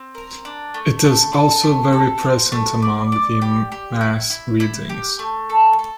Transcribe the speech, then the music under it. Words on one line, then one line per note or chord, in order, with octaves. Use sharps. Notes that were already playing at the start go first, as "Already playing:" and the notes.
It is also very present among the Mass readings.
Already playing: C4
A#4
D4
A3
A3
A4
A3
A4
C4
A3
D5
D5
G4
G4
E4
E4
E4
G4
A3
A4
A4